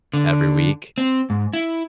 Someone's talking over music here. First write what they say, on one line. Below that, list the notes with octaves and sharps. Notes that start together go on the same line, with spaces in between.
every week,
D3
C4
G#2
E4